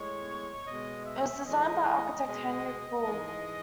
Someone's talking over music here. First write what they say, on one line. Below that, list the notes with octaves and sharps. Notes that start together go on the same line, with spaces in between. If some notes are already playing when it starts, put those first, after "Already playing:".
It was designed by architect Henrik Bull.
Already playing: A2 G#3 C#5
B2 G#3 D#5
E5
A2 E3 G#3 D#5
B2 G#3
G#2 E3 G#3